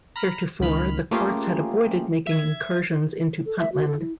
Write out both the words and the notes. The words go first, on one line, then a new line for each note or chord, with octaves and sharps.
Heretofore, the courts had avoided making incursions into Puntland.
A#5 B5 F6
C#2 D#3 B5 F6
A3 A#3 C#4 F4 G4 G#4
E5 G#6
A4
E5
F#4
A4
E4